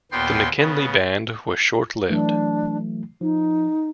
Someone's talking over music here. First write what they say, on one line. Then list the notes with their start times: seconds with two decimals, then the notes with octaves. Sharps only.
The McKinley band was short-lived.
0.12 D#2 A#2 B3 G5 C6
0.57 C#3 B3
2.10 E3 F#3 A3 D4
3.21 F3 D#4